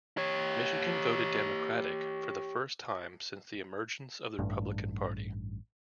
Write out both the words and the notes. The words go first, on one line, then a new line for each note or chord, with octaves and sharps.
Michigan voted Democratic for the first time since the emergence of the Republican Party.
G4 C#5
A1 G2